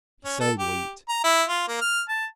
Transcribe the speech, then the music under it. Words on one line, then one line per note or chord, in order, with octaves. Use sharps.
He sowed wheat.
C#4
A4
G4
A#5
E4
F4
A#3
F6
A5